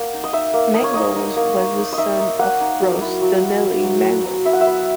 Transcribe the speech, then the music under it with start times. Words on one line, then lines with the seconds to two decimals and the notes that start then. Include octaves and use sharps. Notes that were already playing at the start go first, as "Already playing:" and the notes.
Mangles was the son of Ross Donnelly Mangles.
Already playing: A#3 F#5
0.13 D#4
0.24 D#5
0.33 D#4 E5
0.54 A#3
0.74 A#3 D#5
0.84 C#5
0.94 D#4 D#5
1.16 D#4
1.36 A#3
1.58 D#4
1.78 D#4
1.93 D#5
1.98 D#4 E5
2.20 D#4
2.39 A#3 F#5
2.61 D#4
2.81 F#3
3.01 E4
3.22 F#3
3.43 F#3
3.64 F#3
3.83 F#3
4.04 F#3
4.25 F#3
4.45 E4 E5
4.53 F#5
4.61 E5
4.67 B3